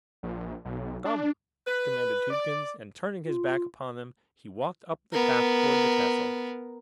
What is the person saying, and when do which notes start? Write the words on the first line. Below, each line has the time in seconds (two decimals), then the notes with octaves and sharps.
"Come!" commanded Tubekins, and turning his back upon them he walked up the path toward the castle.
0.23 A#1
0.65 B1
1.05 D4
1.67 B4
2.31 D5
3.26 F4
5.13 B3 A#4